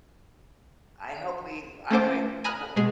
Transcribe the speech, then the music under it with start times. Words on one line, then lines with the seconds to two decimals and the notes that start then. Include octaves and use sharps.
I hope we I hope I hope
1.91 A3 C#4 C5 D6
2.44 G#5 A#5 B5 D#6 F6 F#6
2.76 B2 G#3 G#4